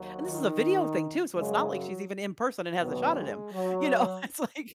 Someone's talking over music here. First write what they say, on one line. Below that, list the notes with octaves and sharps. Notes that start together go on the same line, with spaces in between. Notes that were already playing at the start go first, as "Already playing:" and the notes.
and this is a video thing too, so it's not like she's even in person and has a shot at him. You know, it's like
Already playing: D#2 F#3
D#3 D#4
F#2 C#3 F#3 G#3
F#3 F#4
D#2 B2 D#3 F#3 B3
G#3
F#3